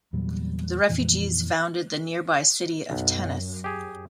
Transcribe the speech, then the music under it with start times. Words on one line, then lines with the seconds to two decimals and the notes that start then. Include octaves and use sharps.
The refugees founded the nearby city of Tennis.
0.13 E2 A#2 F#3 G3
0.89 F2 A#2 E3
2.90 B1 F#2
3.64 G4 G#4